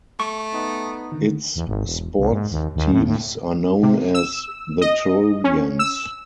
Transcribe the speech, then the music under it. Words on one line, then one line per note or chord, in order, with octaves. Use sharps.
Its sports teams are known as the Trojans.
A3 C#6
B3 D#4
D3 D#3
E2
G#1
E1
C2
G#2
D#2
D#2
A2
A2
C3
E6
D#5
C#4
E6